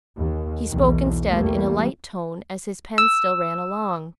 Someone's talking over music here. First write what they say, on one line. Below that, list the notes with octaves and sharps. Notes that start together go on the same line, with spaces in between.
He spoke instead, in a light tone, as his pen still ran along.
D#2
B1 E2 B2
E2 G3 A3 A#3
E6